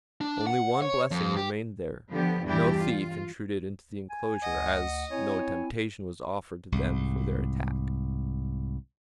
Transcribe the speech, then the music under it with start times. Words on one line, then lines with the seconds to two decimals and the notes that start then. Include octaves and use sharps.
Only one blessing remained there--no thief intruded into the enclosure, as no temptation was offered to them for their attack.
0.21 D4
0.47 F#5
0.82 C#5
1.11 F2
1.36 G4
2.14 D3 F3 B3 G4
2.44 E2 G2 E3 D4 E4 G4
2.77 F4
4.10 G#5
4.42 D2 D#5 F#5
5.11 C4 E4 C#5 G#5
6.72 C2 G#2